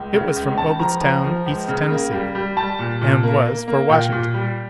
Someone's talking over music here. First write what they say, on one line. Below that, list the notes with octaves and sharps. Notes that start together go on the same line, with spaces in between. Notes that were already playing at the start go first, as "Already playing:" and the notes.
It was from Obedstown, East Tennessee, and was for Washington.
Already playing: C#2
C#3
C#2
C#2 A5
F3 A#5
F3 A#5
F3
C#2
C#3
A#3
G3
G3
G3 A5
A#2
A#2
A#3
A#3
A#3
A#2 G5
A#2
G3